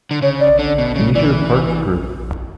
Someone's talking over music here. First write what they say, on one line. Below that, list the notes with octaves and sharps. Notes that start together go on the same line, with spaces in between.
Leisure Parks group.
D3
C#3 C#5
D5
D3
B2
C#3
E3 D5